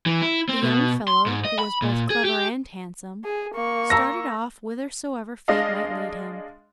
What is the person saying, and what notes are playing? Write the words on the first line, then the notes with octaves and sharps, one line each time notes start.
The young fellow, who was both clever and handsome, started off whithersoever fate might lead him.
E3
E4
C4
B2
C6
G#2
D#5
B5
A#2
G#4
G4
G#4
A#3 C#6
A#5 E6 A#6
G#3 D4 D#5 F5